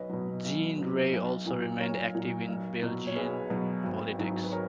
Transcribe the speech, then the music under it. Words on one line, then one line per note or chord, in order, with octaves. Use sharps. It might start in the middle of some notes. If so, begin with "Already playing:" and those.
Jean Rey also remained active in Belgian politics.
Already playing: B1 B4 C#5 D#5
B2 F#3
B1
B2 F#3
B1
A#2 F#3
B1 A#4 C#5
A#2 F#3
B1
B2 F#3
C#5
B1 G#4 B4
B2 F#3
G#1
G#2 F#3
B4
A#4 C#5